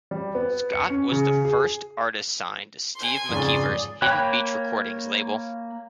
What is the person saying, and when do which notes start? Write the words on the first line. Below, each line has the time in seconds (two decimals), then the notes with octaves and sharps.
Scott was the first artist signed to Steve McKeever's 'Hidden Beach Recordings' label.
0.11 G3
0.35 B3
0.72 C#7
0.90 C#4
1.12 C#3
1.45 G#4
2.95 G#5 C6
3.29 F2 G#2 C#3 D5 D#6
4.02 A#3 C#5 G5 B5 F#6